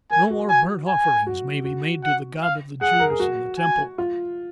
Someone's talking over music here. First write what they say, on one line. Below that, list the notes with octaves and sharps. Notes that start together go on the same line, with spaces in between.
'No more burnt offerings may be made to the God of the Jews in the Temple.
A#4 G#5
F#4
G#5
G#5
F#4
F#4
F#5
F5
G#4 F#5
A#4
G#4
F#4
G#5
F4